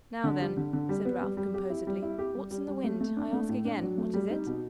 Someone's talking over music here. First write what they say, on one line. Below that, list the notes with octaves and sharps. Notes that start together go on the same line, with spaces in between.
'Now then,' said Ralph, composedly; 'what's in the wind, I ask again? What is it?'
D3
G3
D3
D3
G3
B3
G3
G3
G4
E4
G3
E4
G4
G3
G3
G3
A3
A3
D4
A3
A2
D4
F#3
A3
G3
D#4
B2